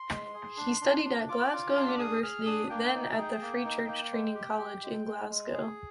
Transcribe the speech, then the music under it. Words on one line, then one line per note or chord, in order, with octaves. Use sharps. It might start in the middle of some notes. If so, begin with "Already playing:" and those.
He studied at Glasgow University then at the Free Church Training College in Glasgow.
Already playing: C6
G#3
G#4
D4
D4
D4
F4 D6
F4
D4 C6
D6
G#4 D#6
G#4 F6
D4 D#6
A#3 G5
D#4
G#4
A#3
D#4
A#3
G#3
G4
G4
G#3
G#3
G#3
G#4